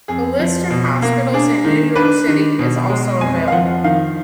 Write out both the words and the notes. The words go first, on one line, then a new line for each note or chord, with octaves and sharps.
A list of hospitals in New York City is also available.
F2 G#4
F3
B2
A#3
D4 G#4
D#3
D4 B4
D#3
B2
G#3
F2 G#5
F5
F3 F#5
D#3 F5